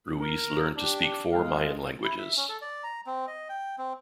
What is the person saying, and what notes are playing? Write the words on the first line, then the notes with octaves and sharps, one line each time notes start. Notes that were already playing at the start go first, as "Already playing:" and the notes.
Ruiz learned to speak four Mayan languages.
A#4
D4 G4
G#3 F5
E4
E5
C#4
A4
D5
A#5
C4
D#5
G5
C4